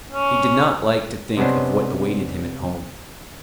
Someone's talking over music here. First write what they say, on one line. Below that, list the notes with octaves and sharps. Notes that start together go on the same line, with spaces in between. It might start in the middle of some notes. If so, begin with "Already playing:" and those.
He did not like to think of what awaited him at home.
C#4
C3 G#3 B3 C#4 D4 C5